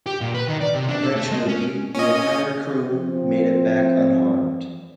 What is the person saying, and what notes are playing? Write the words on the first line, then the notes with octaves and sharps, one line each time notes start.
Eventually, the entire crew made it back unharmed.
G4
A#2
B4
D#3
D5
C3
D4
A4
A3
G#3
C#4
C#4 D#5
F3 C4